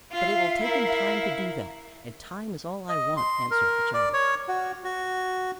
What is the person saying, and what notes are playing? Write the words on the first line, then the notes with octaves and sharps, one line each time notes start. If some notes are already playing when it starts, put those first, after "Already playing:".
"But it will take him time to do that, and time is all I want," answered the child.
F4 E5 F5
E4 A#4
D#5
C6
A#4
D5
C#5
F#4
F#4